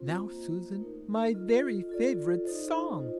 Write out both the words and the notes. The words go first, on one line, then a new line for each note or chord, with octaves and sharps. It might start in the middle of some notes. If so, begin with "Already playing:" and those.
"Now, Susan, my very favourite song!"
Already playing: C4 F4 C5
A#3 F4 C5 D#5
A3 D#4 A#4
F4 A4 D#5
F4 A4 D5
D#4 A4 C5 D#5
F4 C5 D#5